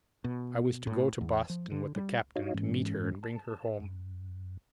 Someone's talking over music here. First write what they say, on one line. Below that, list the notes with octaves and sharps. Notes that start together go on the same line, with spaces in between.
I was to go to Boston with the Captain to meet her and bring her home.
B2
A2
E2
F3
D3
G3
D#4 F#4 C#5 D#5 F5
G#2 E3 G#3 C#4
A5
F#2